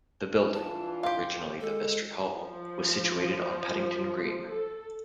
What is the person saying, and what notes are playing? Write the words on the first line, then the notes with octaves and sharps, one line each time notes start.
The building, originally the Vestry Hall, was situated on Paddington Green.
E3 D4 F4 A5
G4 F5 C6
G#3 A4
F3
A4